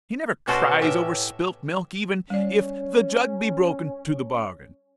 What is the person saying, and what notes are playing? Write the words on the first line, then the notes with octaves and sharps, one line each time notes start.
He never cries over spilt milk, even if the jug be broken to the bargain.
B2 C#4 F#4 A4 C5 D5
A2 C#4 G4 E5
G3 C#4 D5